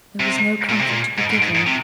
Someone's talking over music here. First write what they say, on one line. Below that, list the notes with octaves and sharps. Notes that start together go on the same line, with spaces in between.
There was no comfort to be given.
C3
A#2
C3
A#2
G#2
G#2
G#2
G#2
C3